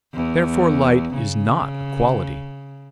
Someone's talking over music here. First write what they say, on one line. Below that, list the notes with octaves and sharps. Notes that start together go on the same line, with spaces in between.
Therefore light is not a quality.
E2
C#3